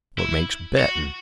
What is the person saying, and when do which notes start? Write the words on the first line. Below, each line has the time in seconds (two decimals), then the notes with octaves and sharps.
What makes bettin'?
0.19 E4
0.79 F#4